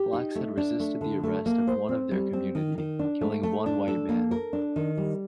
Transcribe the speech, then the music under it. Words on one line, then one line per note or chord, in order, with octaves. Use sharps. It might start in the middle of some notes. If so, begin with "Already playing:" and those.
Blacks had resisted the arrest of one of their community, killing one white man.
Already playing: G4
D#4
A3
D4
A3
D3
A3
A#3
C5
C4
G3
C4
D#3
D#3
D4
A3
A3
D4
A4
A#3
A#4
D4
D#3
G3